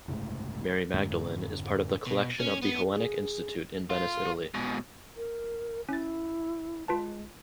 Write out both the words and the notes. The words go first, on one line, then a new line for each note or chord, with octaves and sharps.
Mary Magdalene is part of the collection of the Hellenic Institute in Venice Italy.
F#1 C2 G#2 A3
F2 G#2 D3 G#3
B2
C#4
B3
G#4
F4
G#2 B2
A#4
C#4 E4 A6
G#3 F4 B4 A5